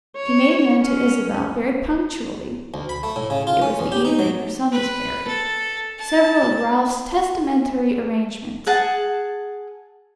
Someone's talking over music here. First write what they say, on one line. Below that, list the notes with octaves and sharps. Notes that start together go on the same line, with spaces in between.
She made known to Isabel very punctually--it was the evening her son was buried--several of Ralph's testamentary arrangements.
C#5
C#4
D2
B5
A3
A2
C#3
F4
C#4
E2
G4
D#4
F#3
B4
A4
A5
G#4 F#5 A5